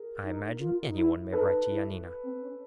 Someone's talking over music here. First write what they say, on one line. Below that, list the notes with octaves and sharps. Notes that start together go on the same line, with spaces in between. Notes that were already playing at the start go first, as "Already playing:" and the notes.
"I imagine any one may write to Yanina."
Already playing: G#4 A#4
D#4
F4
D#4
E4
D#4 A4 B4
E4
C4
C#4